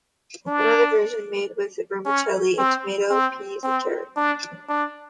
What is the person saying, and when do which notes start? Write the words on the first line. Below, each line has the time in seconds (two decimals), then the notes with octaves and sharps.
Another version made with Vermicelli and tomato, peas and carrot.
0.47 D4
2.05 C#4
2.58 C4
3.10 C4
3.64 C4
4.16 D4
4.69 D4